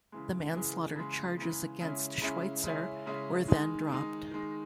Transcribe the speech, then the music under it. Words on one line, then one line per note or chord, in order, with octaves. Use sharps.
The manslaughter charges against Schweitzer were then dropped.
C#3 E3 G#3
C#3 E3 G#3
C#3 E3 G#3
C#3 E3 G#3
C#3 G#3 C#4 E4
C#3 G#3 C#4 E4
C#3 G#3 C#4 E4
C#3 G#3 C#4 E4
D#3 G#3 D#4
D#3 G#3 D#4
D#3 G#3 D#4